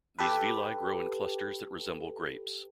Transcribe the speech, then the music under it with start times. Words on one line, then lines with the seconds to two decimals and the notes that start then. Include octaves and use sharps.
These villi grow in clusters that resemble grapes.
0.19 G4 A4 B4